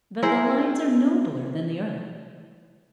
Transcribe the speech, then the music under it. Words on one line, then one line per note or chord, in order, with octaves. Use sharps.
But the lights are nobler than the earth.
E4 G#4 A#4 C5